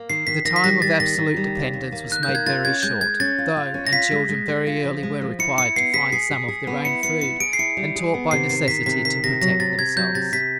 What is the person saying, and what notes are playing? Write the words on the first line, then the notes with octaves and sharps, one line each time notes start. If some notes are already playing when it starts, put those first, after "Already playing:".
The time of absolute dependence was made very short, though, and children very early were required to find some of their own food, and taught by necessity to protect themselves.
Already playing: A#3
D#3 C7
D#3 B6
D#3 A#6
B6
G3 A#6
G3 A6
D#3 A#6
D#3
G3
D#2
D#2
A#3
D#3 F#6
G6
A#3
G#6
F4 A6
C#4 G#6
G#3 G6
G#3 G#6
C#4 A6
F4
F4
C#4
A#6
F4 B6
G#3
G#3
G#3
F4
F3
G#3
F3
E4 C#7
E4 C#7
B3 C7
G#4 B6
G#4 C7
G#4
G#4
B3
E4 C#7
B3 C#7
E4 C#7
G#4 D7
C7
E4 C#7
G3
G#4
B3
C3 C7
D#3 C7
D#3 B6
C3 B6
D#3 B6
C3 A#6
F#3 A#6
C3 A6
C3 G#6
F#3 G6
C3 A6
C3 B6